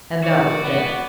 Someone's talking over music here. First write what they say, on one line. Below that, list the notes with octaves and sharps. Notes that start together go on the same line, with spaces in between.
And that was death!
F#4 D5
B3